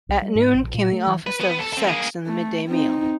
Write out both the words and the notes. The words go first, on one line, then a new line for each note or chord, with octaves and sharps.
At noon came the office of "Sext" and the midday meal.
C2
G3
G#2
A#1
A#2
A3
E3
B4
B3
A4
C4 A4
A#3 G#4
A3
C4 D#4